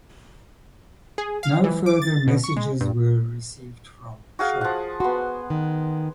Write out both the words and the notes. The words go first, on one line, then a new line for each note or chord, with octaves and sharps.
No further messages were received from "Shark".
G#4
F5
E3
D6
A6
B2
C#6
G#3
G2
F#4 G#4 F5
F3 F#5
B3 F#4 C6
D#3